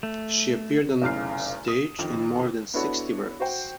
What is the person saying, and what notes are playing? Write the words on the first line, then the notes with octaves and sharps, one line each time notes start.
She appeared on stage in more than sixty works.
A3
F1 B1 E2 C#3 F6 C7
D#6 E7
F2 D#3
B3 D4 E4 F#4 A4 C#5
F#4 C5 G5